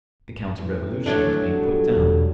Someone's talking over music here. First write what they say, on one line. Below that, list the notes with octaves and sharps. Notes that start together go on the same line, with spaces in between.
The counter-revolution was being put down.
A2 C3 E3
F#3 A3 D4
G3 A4
E1